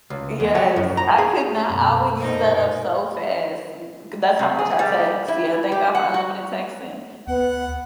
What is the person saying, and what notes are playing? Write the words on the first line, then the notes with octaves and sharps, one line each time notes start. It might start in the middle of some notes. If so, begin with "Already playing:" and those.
Yes, I could not I would use that up so fast, 'cause that's how much I text. Yeah, thank God for unlimited texting,
C#2
E2
F#3
F#2
A#5
G#4
F#2 B2 A4
A#2 D#4 A#4 C5
C3
G#4
G3
E4
G4
F#5
F#4
D2 B3 F#5